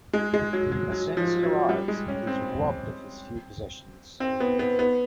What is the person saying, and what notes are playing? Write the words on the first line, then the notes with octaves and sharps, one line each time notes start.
As soon as he arrives, he is robbed of his few possessions.
G#3
G#3
F#3
F#3
F#3
F3
F#3
G3
G#3
C#4
C4
C4
B3
B3
B3